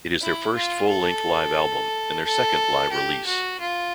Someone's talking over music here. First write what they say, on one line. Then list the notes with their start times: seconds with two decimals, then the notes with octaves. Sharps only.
It is their first full-length live album, and their second live release.
0.22 E4
0.56 F4
0.89 A4
2.25 A4
2.92 G4
3.27 F#4
3.60 F4